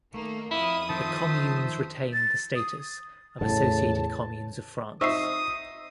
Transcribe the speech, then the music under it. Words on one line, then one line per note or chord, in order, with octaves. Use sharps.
The communes retained the status of Associated communes of France.
D#3 A3 A#3
F2 E4 F5 D#6
D#3 F3 C5 E5 A5
A6
D#6
E2 A2 C#3 A5
D#4 C5 E5 C#6 D#6 E6 C7